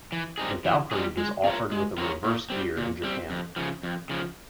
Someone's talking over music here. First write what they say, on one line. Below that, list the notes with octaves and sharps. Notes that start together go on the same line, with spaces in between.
The Valkyrie was offered with a reverse gear in Japan.
E3
G3 C4 D#4 G#4
E3
G3 C4 D#4 G#4
G#3
C4 F4 A#4 C#5
G#3
C4 F4 A#4 C#5
A#2
G3 C4
A#2
G3 C4
F2
C#3 F3
F2
C#3 F3